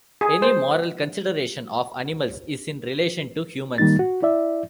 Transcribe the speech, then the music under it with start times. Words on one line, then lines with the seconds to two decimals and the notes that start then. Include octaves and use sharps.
Any moral consideration of animals is in relation to humans.
0.21 G#4
0.42 C5
3.78 D#3 G3 A#3 D#4 A6
3.99 F#4
4.22 E4 D5 E5